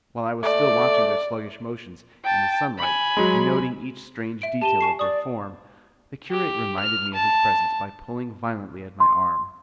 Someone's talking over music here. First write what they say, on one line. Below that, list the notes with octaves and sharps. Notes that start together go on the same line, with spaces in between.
While I was still watching their sluggish motions in the sunlight, and noting each strange detail of their form, the curate reminded me of his presence by pulling violently at my arm.
A3 D5
G5 A5
G#5 B5
F#3 G#3
E5 D7
G4 A5 D#7 G7
G#5 C#6 C7
D5 C#6 D#6
G4
F6
A5
C6